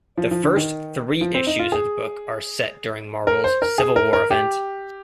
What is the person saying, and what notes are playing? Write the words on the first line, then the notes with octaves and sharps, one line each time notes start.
The first three issues of the book are set during Marvel's "Civil War" event.
F3
F3
D3
D#3
F3
C4
D#4
F4
G#4
A#4
C5
A#4
G#4
A#4
A#4
G4